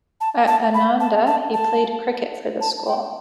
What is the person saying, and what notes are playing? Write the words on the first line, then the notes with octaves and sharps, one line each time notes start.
At Ananda he played cricket for the school.
A5
A5
B5
A5
A5
A5
A5
G5